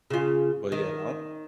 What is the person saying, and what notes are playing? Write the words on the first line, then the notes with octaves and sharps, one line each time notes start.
but yeah, I don't
C#3 F4
D#3